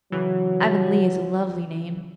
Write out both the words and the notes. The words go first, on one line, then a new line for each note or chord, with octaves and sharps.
Avonlea is a lovely name.
C#3 E3 F#3